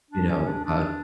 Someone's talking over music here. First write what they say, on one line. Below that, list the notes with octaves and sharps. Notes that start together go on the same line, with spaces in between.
you know, uh
D4
C#4
D4
D4